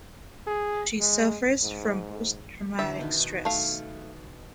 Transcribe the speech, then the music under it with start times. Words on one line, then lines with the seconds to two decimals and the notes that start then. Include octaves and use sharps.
She suffers from post-traumatic stress.
0.47 G#4
1.00 G#3
1.63 G#2
2.79 D3 E3 C5 E5
2.98 B2 D#3 B4
3.45 A3 F5